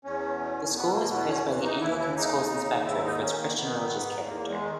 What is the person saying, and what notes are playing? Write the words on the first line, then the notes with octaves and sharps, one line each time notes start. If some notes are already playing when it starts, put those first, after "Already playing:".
The school was praised by the Anglican schools inspectorate for its Christian religious character.
E2 C#4
B2
B2 B3
A#3
E2 B3
C#4
E3
D#4
D#2 E4
E4
C#3 D#4
D#2
D#4
G#2 E4
D#4
D#3 C#4
A#3
D#3 B3
G#2
E2 A#3
G#3
D#3